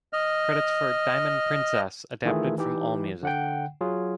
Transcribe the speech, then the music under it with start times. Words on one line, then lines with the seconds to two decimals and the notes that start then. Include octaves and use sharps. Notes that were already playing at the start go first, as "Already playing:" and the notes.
Credits for "Diamond Princess" adapted from Allmusic.
0.13 D#5 F6
2.25 D#3 E3 A3 F4 G#4
2.58 E3 D#4 G4
3.23 D3 F#5 G5
3.81 F#3 F4 G#4